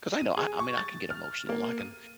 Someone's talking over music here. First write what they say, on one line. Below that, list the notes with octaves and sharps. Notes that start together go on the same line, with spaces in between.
'cause I know, I I mean, I can get emotional, I can
D#7
G#4
C#6
A6
F6
A#3
D#7